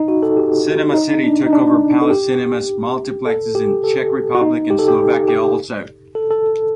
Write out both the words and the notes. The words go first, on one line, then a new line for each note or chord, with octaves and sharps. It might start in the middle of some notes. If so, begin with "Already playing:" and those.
Cinema City took over Palace Cinemas' multiplexes in Czech Republic and Slovakia also.
Already playing: D#4
F#4
A4
G4
F#4
D#4
D#4
D4
D#4
D4
A4
G4
A4
G4
A4
F#4
D#4
G4
A4
G4
G4
A4
A4